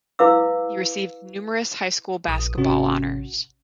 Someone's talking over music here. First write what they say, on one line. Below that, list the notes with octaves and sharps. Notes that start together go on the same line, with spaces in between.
He received numerous high school basketball honors.
E4 B4 F5 D6 E6
A#1 D#6
G#1 C3 C#4 F#4